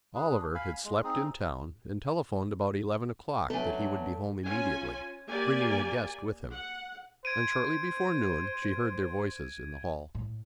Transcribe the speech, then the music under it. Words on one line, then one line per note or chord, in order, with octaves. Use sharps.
Oliver had slept in town and telephoned about eleven o'clock that he would be home immediately, bringing a guest with him: and shortly before noon she heard their voices in the hall.
D4 G#4
F5 G#5 B5
G#3
C4 D#4 G#4
F#3 A3 B3 D4 A4 G#5
C#4 F4 G#5
A#3 G4 D5 G#5
F#5
C5 G#6 D7 D#7
A2